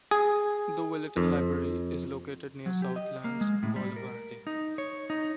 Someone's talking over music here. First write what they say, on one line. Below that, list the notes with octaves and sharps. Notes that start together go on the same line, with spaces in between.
The Willetton Library is located near Southlands Boulevarde.
G#4
F2
F#3
G4
D#5
A#3
G#3
A2
G3
A#4
D#4
C#5
D#4